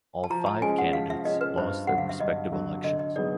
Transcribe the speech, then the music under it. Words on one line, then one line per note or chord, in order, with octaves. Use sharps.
All five candidates lost their respective elections.
A5
F3 A#5
A5
G#3 C#4 G#5
F#5
F3 F5
E5
G#3 C#4 D#5
B4
G2 C5
D3 F#3 F#5
F5
E5
G2 D#5
D3 F#3
D3 D#5
D#5
F#3 B3 D#4 G#4 D5